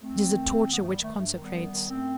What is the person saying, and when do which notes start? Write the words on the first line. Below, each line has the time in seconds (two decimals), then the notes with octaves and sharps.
It is a torture which consecrates.
0.02 D#2 A3 C4
0.21 D#3
0.40 D#2
0.58 D#3
0.72 B3
0.77 G2 A3
0.89 G3
0.96 D#3
1.02 A3
1.15 G2 A3
1.33 D#3
1.40 G3 B3
1.53 F#2
1.71 D#3
1.90 F#2 A3 C4